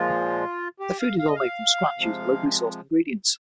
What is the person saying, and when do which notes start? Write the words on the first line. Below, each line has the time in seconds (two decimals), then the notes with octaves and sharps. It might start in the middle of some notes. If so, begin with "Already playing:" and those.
Their food is all made from scratch using locally sourced ingredients.
Already playing: A#2 F3 G#3 F4
0.80 G4
0.99 F5
1.19 F5
1.28 D#5
1.35 F5
1.97 C3 F3 G#3